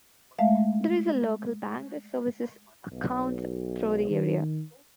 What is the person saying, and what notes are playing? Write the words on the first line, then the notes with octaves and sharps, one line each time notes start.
There is a local bank that services accounts through the area.
G#3 A3 E5 F5
B1
D#3